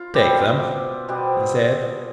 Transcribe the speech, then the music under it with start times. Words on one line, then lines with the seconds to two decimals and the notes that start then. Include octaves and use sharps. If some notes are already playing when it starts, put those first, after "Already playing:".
"Take them," he said.
Already playing: F4
0.14 B2 G3 C4 G4
1.08 B2 G3 C4 G#4